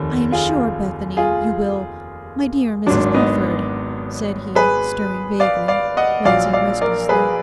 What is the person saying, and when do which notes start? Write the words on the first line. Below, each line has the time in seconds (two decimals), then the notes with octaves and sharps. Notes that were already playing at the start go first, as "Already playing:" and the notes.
'I am sure, Bethany, you will--My dear Mrs Lawford!' said he, stirring vaguely, glancing restlessly.
Already playing: F1 D#2 D#3
0.32 F4 G#4
1.17 F4 G#4
2.86 G#1 G#2 D#3 F#3 D4
3.14 B3 D#4
4.55 G#4 B4
5.40 D5 F5
5.68 D5 F5
5.97 D#5 F#5
6.25 A#1 A#2 F#3 D5 F5
6.53 D5 F5
6.81 A#4 D5
7.09 G#4 B4